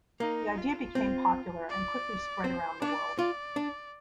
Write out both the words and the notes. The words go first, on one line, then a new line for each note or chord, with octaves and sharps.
The idea became popular and quickly spread around the world.
A#3 D#4
F4
C4
D5
C4 C5
D4 D5
F4 D5
D4